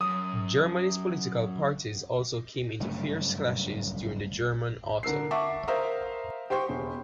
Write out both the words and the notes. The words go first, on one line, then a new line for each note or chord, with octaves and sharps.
Germany's political parties also came into fierce clashes during the German Autumn.
F#2 D#6
F#1 G2 C3 A3
D3 A#4 E6 C7
E5 F#5 A5 C#6 D6
A#4 C5 E5 F5 A#5 D#6
G4 C5 G5 C6 C#6
E1